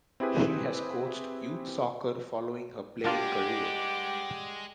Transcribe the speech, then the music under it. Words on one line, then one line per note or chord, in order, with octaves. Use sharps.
She has coached youth soccer following her playing career.
C4 E4 G4 G#4 B4
G2 G#3 A#3 D4 F4 G4 D5 F#5